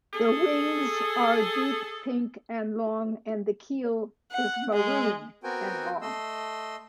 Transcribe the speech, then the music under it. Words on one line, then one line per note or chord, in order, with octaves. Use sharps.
The wings are deep pink and long and the keel is maroon and long.
G#4 A4
F#5
G#3
B3 C4 F#4 A#4 G5 G#5
A3 D#5 C6 E6